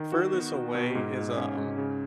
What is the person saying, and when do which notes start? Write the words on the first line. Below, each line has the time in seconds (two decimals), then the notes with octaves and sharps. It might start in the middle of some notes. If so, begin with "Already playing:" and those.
furthest away is, um,
Already playing: D#3
0.12 F#4
0.33 B3
0.53 F#4
0.75 B2
0.95 G#2
1.15 G#2
1.36 C#4
1.57 G#2
1.78 C#3